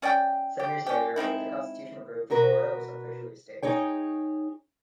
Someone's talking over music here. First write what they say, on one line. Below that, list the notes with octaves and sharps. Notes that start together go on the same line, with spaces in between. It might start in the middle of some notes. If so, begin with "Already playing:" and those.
Seven years later, with the constitution approved, Florida was officially a state.
C#4 D5 D#5 G5
G4
C#4 G4
G#3 C4 D#4 E4
B2 F#4 A#4 B4
D#4 G#4 C#5 G5